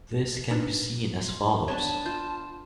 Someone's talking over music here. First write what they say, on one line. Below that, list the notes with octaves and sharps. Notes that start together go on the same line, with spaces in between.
This can be seen as follows.
D4 D#4 B4
C6
B3 D4 B4 C#5 A5
F4 G6